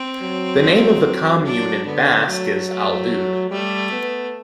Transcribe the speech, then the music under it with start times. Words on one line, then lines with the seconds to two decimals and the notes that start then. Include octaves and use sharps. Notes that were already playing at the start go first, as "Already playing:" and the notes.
The name of the commune in Basque is "Aldude".
Already playing: C4
0.22 F#3
1.04 F#3
1.45 D4
1.86 D3 B3
2.28 F#3 A3
2.69 A3
3.51 G3 A3
3.92 B3